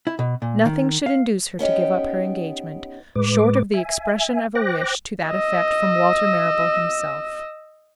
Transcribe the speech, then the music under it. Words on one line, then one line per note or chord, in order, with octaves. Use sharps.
Nothing should induce her to give up her engagement,--short of the expression of a wish to that effect from Walter Marrable himself.
E4
B2
A#2
D#3
F5
B3 C#4 D#4 G4
A2 G#3 B4 D6
E5 G#5
C5 G5 D6 F#6 A#6
D#5 E6